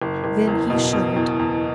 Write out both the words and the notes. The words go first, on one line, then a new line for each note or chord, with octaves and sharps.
Then he shuddered.
F#1
F#1
E2
B2
B2
E2
E2